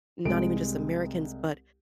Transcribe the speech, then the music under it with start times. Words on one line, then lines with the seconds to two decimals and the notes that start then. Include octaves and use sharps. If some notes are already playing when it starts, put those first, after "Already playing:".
not even just Americans, but
0.25 C2 G#3 D7